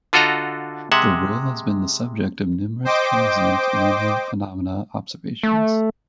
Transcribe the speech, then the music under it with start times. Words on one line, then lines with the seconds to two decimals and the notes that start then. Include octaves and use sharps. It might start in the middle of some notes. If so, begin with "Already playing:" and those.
The rille has been the subject of numerous transient lunar phenomena observations.
0.13 D3 F4 F#4 A4 D#5 A#5
0.92 C3 G#3 E5 F#5
2.85 C5 D#5 G5 D6
5.43 A3